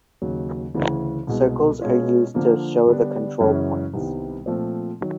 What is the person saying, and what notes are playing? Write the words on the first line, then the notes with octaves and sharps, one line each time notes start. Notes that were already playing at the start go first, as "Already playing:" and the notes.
Circles are used to show the control points.
D#2 C#3 F#3
D2 C#3 E3
C2 B2 G#3
B2 G#3 C#4 F4
D3 F3 A#3 D4
D3 G3 B3 D4
F#2 C#3 E3 G#3 C#4
C2 C3 D#3 G3 B3
A#2 F3 A3 C4
D#3 F#3